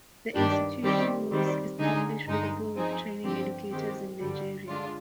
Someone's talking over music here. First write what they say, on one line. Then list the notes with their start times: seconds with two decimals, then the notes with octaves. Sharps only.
The institution was established with the goal of training educators in Nigeria.
0.35 G2 D#3 G3 D4 G4
0.83 D#3 G3 C4 G4
1.31 D#3 G3 C4
1.79 D3 G#3 D#4 G#4
2.27 G2 D3 G#3 D#4
2.76 F3 C4 D#4 G#4
3.23 G2 D3 F3 C4 G4
3.71 D#3 G#3 C4 G4
4.20 G2 D3 G3
4.68 D3 G#3 D4 F4